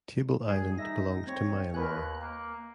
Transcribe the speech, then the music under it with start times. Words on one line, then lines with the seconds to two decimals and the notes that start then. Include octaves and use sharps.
Table Island belongs to Myanmar.
0.47 G3 G#4 G#5
0.78 D#4 E5 A#6
1.27 C4 C#5
1.74 D#2 A#4 B4 G#5 F#6
2.21 A#3